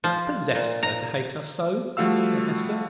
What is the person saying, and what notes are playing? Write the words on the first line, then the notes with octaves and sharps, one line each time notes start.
"What possessed her to hate us so?" said Hester.
F3
A#2
A#5
F3 G3 A3 F#4 F5 E6